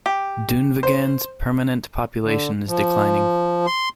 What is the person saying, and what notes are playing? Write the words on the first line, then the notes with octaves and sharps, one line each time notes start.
Dunvegan's permanent population is declining.
G4
C5
D3
F3
C6